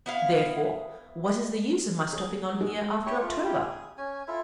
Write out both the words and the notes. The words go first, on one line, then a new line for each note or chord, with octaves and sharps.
Therefore, what is the use of my stopping on here after October?
B3 E4 F5
G#4
G#3
E4 G4 C#5 C#6
A3 F4
E4 F4 G4
G#4
C#4 G#5
E4 F4 A4 E5